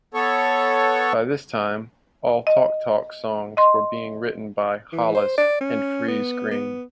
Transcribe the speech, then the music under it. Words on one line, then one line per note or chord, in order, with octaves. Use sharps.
By this time, all Talk Talk songs were being written by Hollis and Friese-Greene.
B3 A4 C#5
D#5
D#5 C6
E3
C5
D5
C#4
B3
B3